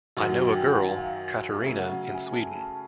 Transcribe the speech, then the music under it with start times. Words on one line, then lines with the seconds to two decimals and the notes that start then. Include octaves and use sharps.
I know a girl, Katerina, in Sweden.
0.17 F#2 D#3 F#3 F#5
0.35 G#5
0.52 G5
0.71 F#5
0.89 F5
1.60 C#3 F#3 A3 C#4 E5
1.79 F#5
2.15 G#5
2.32 A5
2.57 A5